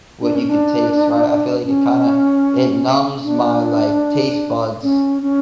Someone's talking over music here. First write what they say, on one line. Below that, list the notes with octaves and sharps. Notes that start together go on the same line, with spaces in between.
what you could taste, right, I feel like it kinda it numbs my, like, taste buds
D4
C#4
D4
C#4
D4
C#4
C#4